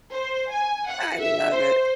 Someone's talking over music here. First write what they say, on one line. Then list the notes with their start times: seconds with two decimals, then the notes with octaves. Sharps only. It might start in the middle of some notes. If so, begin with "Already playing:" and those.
I love it.
0.12 C5
0.51 G#5
0.89 F#5
1.21 E5
1.53 C5